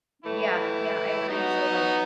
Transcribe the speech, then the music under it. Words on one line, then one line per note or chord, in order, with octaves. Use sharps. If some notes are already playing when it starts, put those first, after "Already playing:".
Yeah, yeah, I agree. So, like,
A2 E3 A3 E4
F#3 B3 D#4 F#4